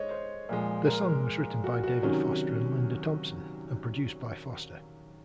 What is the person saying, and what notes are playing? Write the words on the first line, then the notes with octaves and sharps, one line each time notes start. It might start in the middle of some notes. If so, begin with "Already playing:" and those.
The song was written by David Foster and Linda Thompson, and produced by Foster.
Already playing: G#3 C5 C#5 D#5
C5
A#2 F3 G#3
A#4
F#4
F#4
C3 D#3 F#3 C#4